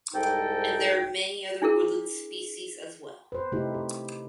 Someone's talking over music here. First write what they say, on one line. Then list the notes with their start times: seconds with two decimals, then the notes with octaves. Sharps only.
And there are many other woodland species as well.
0.14 C2 G#2 D#4 A4 G5
1.62 D4 E4 G#4 A#4
3.32 B4 C5
3.52 C3 A3 D#4 E4 G4
3.74 G4